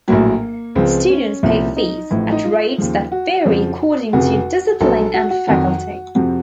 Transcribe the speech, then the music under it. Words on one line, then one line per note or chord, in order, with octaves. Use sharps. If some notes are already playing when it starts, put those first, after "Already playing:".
Students pay fees, at rates that vary according to discipline and Faculty.
A#1 A2 F#3 A#3
C#2 C#3 F3 C4
C#4
C2 A#2 F3
D#4
A1 A2 F3
D#4
F4
D#2 C#3 F3
F#4
F2 C#3 F3
F1 F2 C#3 F#4
A#1 A#2 F#3 A4
F#4
F#4
F2 D#3 F#3 F#4
F2 C3 F3 F#4